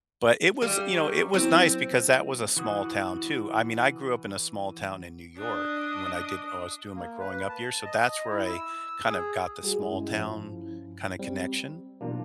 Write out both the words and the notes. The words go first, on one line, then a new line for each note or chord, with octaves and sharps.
but it was, you know, it was nice because that was a small town, too. I mean, I grew up in a small town in New York, when I did oh, I was doing my growing up years, so that's where I kind of got the small town kinda connection.
G3 F5
A#5 C#6
F#3 B3 C4 E4
E3 F#4 D#6
D4 D#5
A#3
B4
A5
D#5
E4
E6
G#4
G3 F#4 G#4
G2 G#3 C#4 E4
F3
G3 C4
B2 E3 F#3 A#3 D4 F4